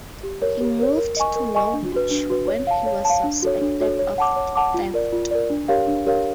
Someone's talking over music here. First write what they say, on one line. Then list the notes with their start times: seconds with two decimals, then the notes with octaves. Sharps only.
He moved to Norwich when he was suspected of theft.
0.23 G4
0.42 A#4 C#5
0.61 G4
0.79 A#4 C#5
0.97 A#4
1.17 D#5 G#5 C#6
1.36 A#4
1.55 D#5 G#5 C#6
1.73 D4
1.92 F#4 B4
2.11 D4
2.30 F#4 B4
2.48 C#5
2.67 F5 A5
2.86 C#5
3.05 F5 A5
3.23 D4
3.43 F#4 A4 C#5
3.61 D4
3.80 F#4 A4 C#5
3.99 C#5
4.18 F#5 A5 D6
4.36 C#5
4.56 F#5 A5 D6
4.74 F4
4.94 A#4 D5
5.12 F4
5.31 A#4 D5
5.50 D4
5.68 G4 A#4 C#5 F5
5.88 D4
6.06 G4 A#4 C#5 F5